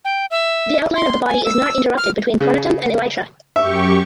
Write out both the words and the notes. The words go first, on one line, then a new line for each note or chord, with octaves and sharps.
The outline of the body is not interrupted between pronotum and elytra.
G5
E5
C6
G#5
E6
F6
C#3
F#2 G4 E5 C#6